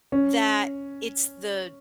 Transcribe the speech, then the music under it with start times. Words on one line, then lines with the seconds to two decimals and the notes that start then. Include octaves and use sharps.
that it's the
0.12 C#4